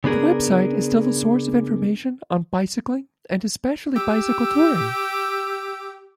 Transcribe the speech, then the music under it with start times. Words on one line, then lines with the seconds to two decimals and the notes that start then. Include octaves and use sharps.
His website is still a source of information on bicycling and especially bicycle touring.
0.04 C#3 B3 D4 G#4 A#4
3.96 G4 E6